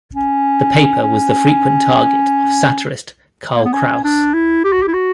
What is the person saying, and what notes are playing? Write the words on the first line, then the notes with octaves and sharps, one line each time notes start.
The paper was the frequent target of satirist Karl Kraus.
C#4
C#4
A#3
B3
C#4
D4
E4
G4
F#4
G4
E4
F#4